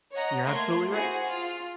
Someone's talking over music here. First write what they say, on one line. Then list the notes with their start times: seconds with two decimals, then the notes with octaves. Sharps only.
You're absolutely right,
0.14 C#5 D#5 F#5 A#5
0.45 A3 A#3 C6 G#6
0.91 E4 F#4 G#4 C5 F#5
1.26 F4